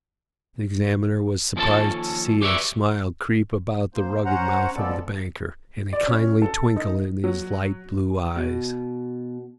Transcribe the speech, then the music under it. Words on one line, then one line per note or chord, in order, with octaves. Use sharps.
The examiner was surprised to see a smile creep about the rugged mouth of the banker, and a kindly twinkle in his light-blue eyes.
D#2 F3 G3 C#4 A4 A5
G4 B4 C#5 D5 E5
A#3 C5
C#4 C5 F#5 A#5
F2 F3 G#3 B3 A4 D5
D5
C#4
A4
D#4
F#3
B2